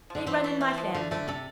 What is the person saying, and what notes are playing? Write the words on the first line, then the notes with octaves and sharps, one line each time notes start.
They run in my family.
D3 F3
E3 C4
A3
A3
F3
D3 A3
D3 A3
C3 A4